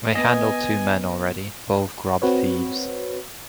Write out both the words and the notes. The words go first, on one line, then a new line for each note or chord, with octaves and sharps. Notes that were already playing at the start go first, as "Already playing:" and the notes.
They handled two men already, both grub-thieves.
B3 D#5 G#5
C4 F#4 B4 C#5